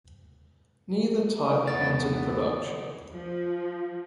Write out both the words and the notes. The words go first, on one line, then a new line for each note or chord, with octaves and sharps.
Neither type entered production.
E2 D3 B3 A6
F3